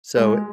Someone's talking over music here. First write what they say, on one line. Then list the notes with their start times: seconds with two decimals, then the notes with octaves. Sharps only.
So i
0.17 G#3